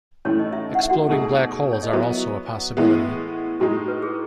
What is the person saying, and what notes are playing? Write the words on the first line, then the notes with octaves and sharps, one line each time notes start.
Exploding black holes are also a possibility.
A2 E3 A3 C#4 C#5
D#4 D#5
E4 E5
F#5
E5
F#4 F#5
B2 A3 D#4 G#4
C#5
D#5
F#3 B3 E4 F#4 E5
A2 E3 G#3 B3 E4 E5
A2 G#3 D#4 F#4
B4
G#4